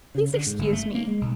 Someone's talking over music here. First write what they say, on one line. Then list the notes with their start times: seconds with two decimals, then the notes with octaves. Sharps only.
Please excuse me.
0.15 C#3
0.33 D3
0.47 G#2
0.59 G1
0.73 A3
0.95 A#3
1.08 G#3
1.21 B1